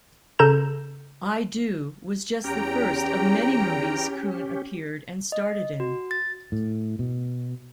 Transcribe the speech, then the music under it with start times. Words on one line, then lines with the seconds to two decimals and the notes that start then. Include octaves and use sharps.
"I Do" was just the first of many movies Koon appeared and started in.
0.39 C#3 A4 A#5 G6 E7
2.44 E2 C#4 G4 G5 A#5
5.32 D#5
5.80 F#4
6.11 A6
6.52 A2
6.99 B2